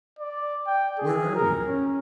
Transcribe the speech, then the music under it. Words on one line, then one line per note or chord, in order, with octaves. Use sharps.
"Where are we?"
D5
G5
G#4
A#4
C#4